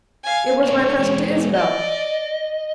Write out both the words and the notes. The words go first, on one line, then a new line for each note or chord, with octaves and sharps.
"It was my present to Isabel."
F5 G#5
C4 D4 A4 C#5
E3 G#3
D5 D#5